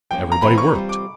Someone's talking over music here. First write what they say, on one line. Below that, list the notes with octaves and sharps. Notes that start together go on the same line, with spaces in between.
Everybody worked.
F3 A#3 C#4 G5
A#5
E3 A3 C4 F4 B5
C#6
G3 C4 F4
D6